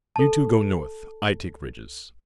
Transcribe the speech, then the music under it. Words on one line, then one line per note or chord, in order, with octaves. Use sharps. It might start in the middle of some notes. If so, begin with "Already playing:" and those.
"You two go north--I take ridges."
A4 A5